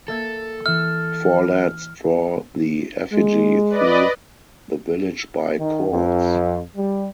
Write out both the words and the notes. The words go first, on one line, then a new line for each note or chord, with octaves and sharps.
Four lads draw the effigy through the village by cords.
A#3 A4 E5 G#6
E3 E5 F6
G#3
B4 D5 D#5
D#3
F2
G3